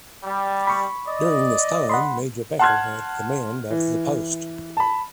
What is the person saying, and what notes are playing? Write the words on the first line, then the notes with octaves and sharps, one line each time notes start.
During this time Major Becker had command of the post.
G3
B5 C#6
D5 D#5
F#5 B5 C6
F#5 A5 C6 F6 F#6 G#6
E3
A5 B5